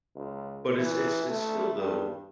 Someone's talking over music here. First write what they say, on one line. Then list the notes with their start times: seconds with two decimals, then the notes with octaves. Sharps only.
But it's it's it's still though,
0.16 C#2
0.78 E3
1.29 A3
1.78 G2